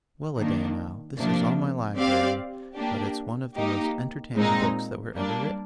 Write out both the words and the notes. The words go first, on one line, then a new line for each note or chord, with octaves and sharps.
'Well-a-day now, this is all my library, but it's one of the most entertaining books that were ever written!
D#3 A#3 D4
C3 F3 A#3 D4
C4 G4 D5 F5
A#3 D4 G4
A#3 D#4 G4
A#2 G#3 C4 D#4
G3 A#3 D4